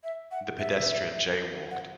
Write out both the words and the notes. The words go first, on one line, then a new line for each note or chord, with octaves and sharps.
The pedestrian jaywalked.
E5
F#5
E5
F#5